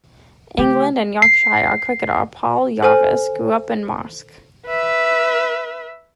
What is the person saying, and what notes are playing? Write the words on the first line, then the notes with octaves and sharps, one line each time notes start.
England and Yorkshire cricketer Paul Jarvis grew up in Marske.
C#3 A3 G4
C7
A4 C5 G#5 F6
B4 E5